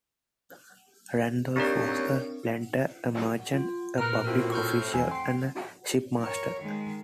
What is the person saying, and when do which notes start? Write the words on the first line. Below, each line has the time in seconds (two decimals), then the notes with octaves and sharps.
Randolph was a planter, a merchant, a public official, and a shipmaster.
1.56 D#2 C4 D4 G4 A#4 C#5 D5
3.53 F4
3.98 A#2 B3 F4 A#4 F6 F#6
4.25 A2 C4 F4 F#4 A#4
4.52 C#6 F6 G6
4.94 E2 G#5
5.11 G5 C6 C7
6.19 A#4 C#5
6.60 D#3 G#3